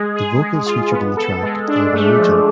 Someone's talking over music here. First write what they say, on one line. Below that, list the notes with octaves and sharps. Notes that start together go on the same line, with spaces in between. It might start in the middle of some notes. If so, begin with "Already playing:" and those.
The vocals featured in the track are Norwegian.
Already playing: G#3 G#4
G#4
G#3
F4
B3
A4
G#3
D4
G#3 A3
F3